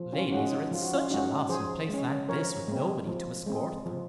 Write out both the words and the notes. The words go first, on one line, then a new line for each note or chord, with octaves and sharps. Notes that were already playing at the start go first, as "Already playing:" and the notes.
Ladies are at such a loss in a place like this with nobody to escort them.
Already playing: F3
C#4 F4
G#3 C#4 D#4 F#4
D#4
F3 F4
F#4
C#4 F4
G#3 C#4 D#4 F#4
F3 G#4 C5
G#3 C#4
F3 A#4 C#5
G#3 C4
F3
G#3 C4
F3